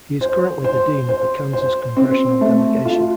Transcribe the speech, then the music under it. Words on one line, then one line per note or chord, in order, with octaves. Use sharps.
He is currently the dean of the Kansas congressional delegation.
C5
C5
C5
C5
C4
A3
F4